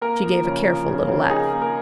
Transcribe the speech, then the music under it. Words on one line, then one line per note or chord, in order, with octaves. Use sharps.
She gave a careful little laugh.
A#3 A#4
F3
C#3
F3
C#3
C#3
D#4 G#4
A#3
A#4